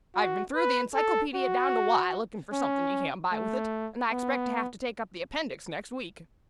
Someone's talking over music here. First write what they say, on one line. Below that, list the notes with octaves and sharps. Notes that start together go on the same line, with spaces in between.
I've been through the encyclopaedia down to Y looking for something you can't buy with it; and I expect to have to take up the appendix next week.
F#4
B4
A4
F#4
C#4
A3
B3